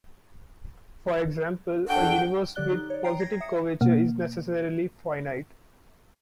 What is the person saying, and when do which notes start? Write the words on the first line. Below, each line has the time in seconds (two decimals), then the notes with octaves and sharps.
For example, a universe with positive curvature is necessarily finite.
1.88 E2 D4 A4 F#5 G5
2.55 D3 F#3 G4 D5 F#6 G7
2.72 D#4
2.90 C#5 D5
3.04 G5 A#5 C7 D7
3.20 G#6 A#6 C7
3.40 E5 D#6 C#7
3.81 B2 A#3